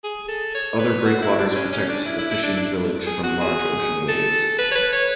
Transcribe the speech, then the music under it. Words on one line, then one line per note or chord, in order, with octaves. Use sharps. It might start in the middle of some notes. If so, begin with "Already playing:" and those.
Other breakwaters protects the fishing village from large ocean waves.
G#4
A4
C#5
B4
F#4
E4
D4
C#4
C#4
D4
E4
E4
E4
D4
D4
G#4
F#4
G#4
A4
B4
C#5
B4
C#5